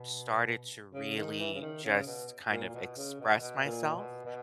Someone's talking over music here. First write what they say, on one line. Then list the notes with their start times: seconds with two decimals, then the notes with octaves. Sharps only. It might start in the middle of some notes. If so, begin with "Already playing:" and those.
started to really just kind of express myself,
Already playing: B2
0.94 C#3
1.17 D#3
1.40 E3
1.54 C#3
1.62 D#3
1.84 C#3
2.07 B2
2.51 A#2
2.69 A#2
2.74 B2
2.97 C#3
3.20 B2
3.42 B2
3.65 A#2
3.96 B2
4.26 B2